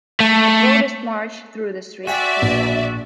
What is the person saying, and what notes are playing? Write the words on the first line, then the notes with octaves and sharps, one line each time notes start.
A protest march through the streets was held.
A3
F#4 C5 D5 E5 G5 G#5
A#1 B2